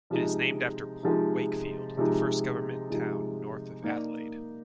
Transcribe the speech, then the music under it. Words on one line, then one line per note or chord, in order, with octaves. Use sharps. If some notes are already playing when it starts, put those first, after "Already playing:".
It is named after Port Wakefield, the first government town north of Adelaide.
C3 F3 G#3 D#4
C3 F3 G#3 D#4
C3 F3 G#3 D#4
C3 F3 G#3 D#4
A#3 D#4 A#4 D5